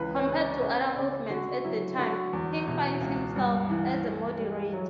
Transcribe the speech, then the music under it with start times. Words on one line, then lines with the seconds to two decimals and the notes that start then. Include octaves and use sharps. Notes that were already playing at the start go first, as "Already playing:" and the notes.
Compared to other movements at the time, King finds himself as a moderate.
Already playing: C#2 E3 B4
0.16 C#5
0.27 C#3
0.38 D5
0.62 C#3 E5
0.96 C#3 D5
1.30 D3 F#4
1.64 F#3 E4
1.98 D3 F#4
2.33 E2
2.67 B2 E4
3.01 C#2
3.36 G2
3.70 E3
4.04 E3
4.38 G3
4.73 F#3